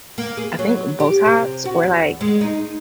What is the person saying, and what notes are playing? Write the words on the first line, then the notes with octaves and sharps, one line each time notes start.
I think Botox or, like,
A#3
G#4
F#3
G4
C3
F#4
E2
G#3
D#4